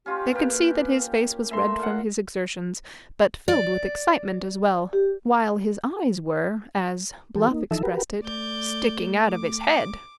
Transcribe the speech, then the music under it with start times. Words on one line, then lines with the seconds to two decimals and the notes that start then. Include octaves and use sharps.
They could see that his face was red from his exertions, but filled with excitement as well; while his eyes were, as Bluff expressed it, "sticking out of his head!"
0.06 C#4 F4 G4
0.33 A#3 G4 B4
1.51 A3 E5 A#5 C6
1.79 A#2 F#5
3.48 D5
4.93 G4
7.36 E3 G4 A4
7.51 A#3 D#4
7.71 E3 F3 D#4 A4 E5
7.83 F#4 G4 A#4 B4
8.23 A3 D5 G6
9.26 D6